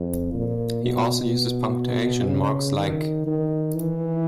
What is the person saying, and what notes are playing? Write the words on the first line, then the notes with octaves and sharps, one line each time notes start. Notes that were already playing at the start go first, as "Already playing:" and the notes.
He also uses punctuation marks like !
Already playing: F2
A#2
B2
C#3
D#3
D#3
E3